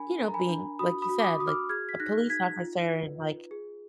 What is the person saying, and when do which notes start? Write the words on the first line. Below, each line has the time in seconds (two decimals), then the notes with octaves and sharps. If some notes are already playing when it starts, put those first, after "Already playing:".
you know, being like you said, like a police officer and like,
Already playing: D4 A#4 G#5 B5
0.19 A#4
0.28 A#5
0.34 G#5 B5
0.49 D4
0.79 F#4 B5 D#6
1.02 B5 D#6
1.09 F#4
1.20 D6
1.24 B5 D#6
1.39 F#4 D#6
1.47 D6 F6
1.69 G#4 F6 G#6
1.89 B6
2.00 D#4 F#6 A#6
2.30 D#4 G#6 B6
2.60 F4
2.90 B4
3.21 F4
3.51 G#4